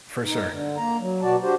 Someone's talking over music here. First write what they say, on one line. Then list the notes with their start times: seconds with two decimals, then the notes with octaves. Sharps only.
For sure.
0.24 D#4
0.51 D3
0.77 A#3 A#5
1.00 F#3
1.22 B2 F#4 D5 A5
1.43 D4 F#4 G4 C5